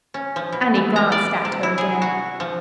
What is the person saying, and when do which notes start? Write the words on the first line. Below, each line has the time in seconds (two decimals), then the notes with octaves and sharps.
Annie glanced at her again.
0.14 C#4
0.36 F3
0.52 B2
0.75 E3
0.96 A#5
1.12 D5
1.45 C3
1.63 E4
1.78 G#4
2.02 F#4
2.40 F3